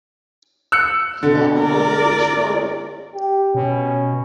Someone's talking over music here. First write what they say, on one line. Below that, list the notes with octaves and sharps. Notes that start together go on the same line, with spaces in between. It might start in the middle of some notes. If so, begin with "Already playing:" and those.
Of that one would be sure.
E6 F#6 C#7
B2 D3
A#4 D5
G4
B2 C#4